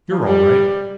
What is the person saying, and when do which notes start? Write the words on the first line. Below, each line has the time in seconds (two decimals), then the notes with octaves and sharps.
You're all right!
0.10 F3
0.25 G3